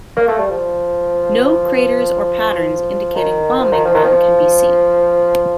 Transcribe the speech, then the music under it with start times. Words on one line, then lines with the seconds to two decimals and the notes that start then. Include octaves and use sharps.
No craters or patterns indicating a bombing run can be seen.
0.16 A#3
0.28 A3
0.38 G3
0.50 F3
3.15 D#3
3.59 F3
3.72 D#3
3.85 F3
3.94 D#3
4.04 F3